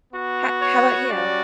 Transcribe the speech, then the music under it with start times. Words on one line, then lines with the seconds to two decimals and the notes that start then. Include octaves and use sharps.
Ho how 'bout you?
0.13 B3 F#4
0.62 C#5
1.10 G3 C#4 F#4 D5